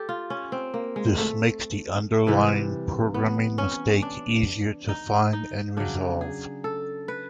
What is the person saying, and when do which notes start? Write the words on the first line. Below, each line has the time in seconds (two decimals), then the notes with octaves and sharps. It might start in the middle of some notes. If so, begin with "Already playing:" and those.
This makes the underlying programming mistake easier to find and resolve.
Already playing: G4 A4
0.09 F4
0.30 C#4
0.52 C4
0.74 A#3
0.96 G#3
1.18 A3
2.27 C3 E3 G3
3.14 B3
3.58 C#4
4.02 D4
4.89 D#4
5.33 D#4
5.77 C#3 F#3 D4
6.21 G#4
6.64 A4
7.08 B4